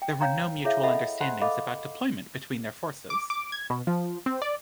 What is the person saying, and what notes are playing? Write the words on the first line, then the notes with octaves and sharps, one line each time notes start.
There were no mutual understandings about deployment between their forces.
G5
C#5 F5 G5 A#5
E4 G#4 C#5 E5 F5
A4 D#5 E5 F#5 A5 B5
C5 F#5 A5 B5 C6
A4 D#5 F5 B5 D6
D6
D6
G#6
B2
F3
C4
D5